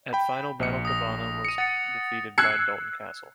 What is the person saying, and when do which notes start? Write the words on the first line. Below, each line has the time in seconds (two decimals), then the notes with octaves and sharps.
At Final Battle Cabana was defeated by Dalton Castle.
0.13 G5 B5
0.60 A#1 C#7
0.85 D#6 A#6
1.45 C#7 D#7
1.58 F#5 A6 C#7
2.38 E6 F#6 G#6 C7 C#7